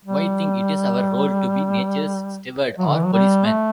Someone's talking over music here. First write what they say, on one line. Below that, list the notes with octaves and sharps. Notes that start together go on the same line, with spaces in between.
Why think it is our role to be nature's steward or policeman?
G3
F#3
D3
E3
F#3
G3
A3